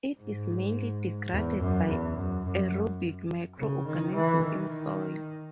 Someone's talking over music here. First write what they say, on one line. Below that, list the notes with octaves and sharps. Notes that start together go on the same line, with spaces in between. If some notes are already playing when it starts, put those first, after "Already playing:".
It is mainly degraded by aerobic microorganisms in soils.
G#2
E2
F#2
E2
F#2
F#2
C#3
D#3
E3
D#3